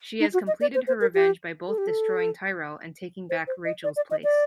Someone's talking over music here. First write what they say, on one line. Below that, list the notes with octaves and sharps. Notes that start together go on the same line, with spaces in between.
She has completed her revenge by both destroying Tyrell, and taking back Rachael's place.
D#4
F#4
D#5
D5
C5
C5
A#4
G4
A4
G4
A4
C5
C5
D#5
D5
D5
D#5
D5